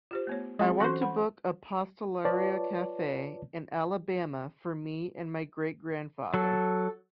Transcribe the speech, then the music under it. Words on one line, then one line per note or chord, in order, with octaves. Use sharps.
I want to book a pastelaria cafe in Alabama for me and my great grandfather.
F4 G4 C5
A3 B3 C#5
F#3 G#3 C4 F4
E3 C#4 F#4 A4 C5
F#5 B5
F4 B4 C#5 D5 A5
F#3 A4